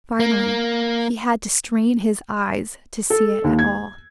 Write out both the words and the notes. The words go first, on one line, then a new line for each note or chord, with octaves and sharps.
Finally he had to strain his eyes to see it at all.
A#3
A4
D#2
G#6